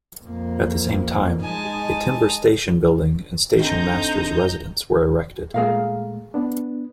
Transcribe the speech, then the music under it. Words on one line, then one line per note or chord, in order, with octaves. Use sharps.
At the same time, a timber station building and station masters residence were erected.
F2 A#3
G#3 D#4 G#5 A5
D2 D3 D#3 C4 D#4 A#5 G6
A#2 G#3 A3 G#4 A#4 F5
B3 D4